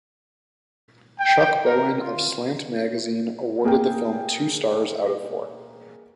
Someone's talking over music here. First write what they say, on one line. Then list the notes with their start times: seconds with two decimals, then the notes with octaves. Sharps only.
Chuck Bowen of "Slant Magazine" awarded the film two stars out of four.
1.19 G5
1.64 A#4
2.01 F4
3.64 A#3 G#4 A#4 G5